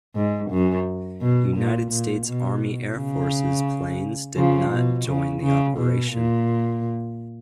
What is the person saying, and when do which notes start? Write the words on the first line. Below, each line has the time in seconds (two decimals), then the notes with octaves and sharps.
United States Army Air Forces planes did not join the operation.
0.15 G#2
0.51 F#2
1.21 B2
1.57 A#2
1.91 A#2
2.26 B2
2.97 C#3
4.36 C#3 F3
4.72 B2
5.07 C#3
5.42 C#3
5.78 B2
6.12 A#2